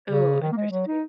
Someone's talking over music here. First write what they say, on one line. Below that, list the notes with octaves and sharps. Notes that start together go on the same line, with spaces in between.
Oh, interesting.
C#3
D#3
A#3
G#3
F#3
D#4